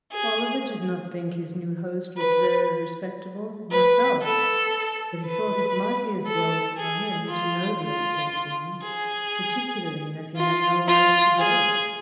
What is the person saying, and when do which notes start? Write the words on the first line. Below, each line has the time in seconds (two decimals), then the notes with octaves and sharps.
Oliver did not think his new host looked very respectable himself, but he thought it might be as well for him to know the old gentleman, particularly as he had nowhere else to go.
0.12 G#4
2.17 B4
3.71 B4
4.22 A4
5.25 B4
6.27 A4
6.78 G#4
7.29 F4
7.80 F4
8.83 G#4
10.36 F4
10.88 F4
11.39 G#4